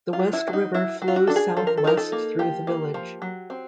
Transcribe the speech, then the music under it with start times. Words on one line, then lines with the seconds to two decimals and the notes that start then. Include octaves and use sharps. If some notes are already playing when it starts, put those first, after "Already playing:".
The West River flows southwest through the village.
0.13 F4
0.19 F#3
0.33 E4
0.48 F#3
0.53 D#4
0.74 F#3 E4
1.02 F#3
1.08 F4
1.16 F#4
1.27 D4 A4
1.36 G#4
1.57 F3 A4
1.67 A#4
1.77 A4
1.84 D#4 A#4
1.97 A4
2.12 A#3
2.39 F3 G4
2.67 A#3
2.94 F3
3.22 F#3
3.50 C4